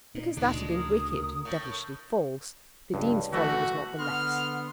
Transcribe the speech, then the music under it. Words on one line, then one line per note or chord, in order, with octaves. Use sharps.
Because that had been wicked and devilishly false, the Dean's folly was not the less.
A#2 D#4
D2 A#2 C#3 G#3 D4
A#4 D#6
A2
C#2 G2
E3 A3 F#4 E5
D3 B3 F#5 C6 F6